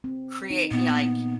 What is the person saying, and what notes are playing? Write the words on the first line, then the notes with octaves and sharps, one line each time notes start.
create you know, like,
C4
D#4
A#2 B3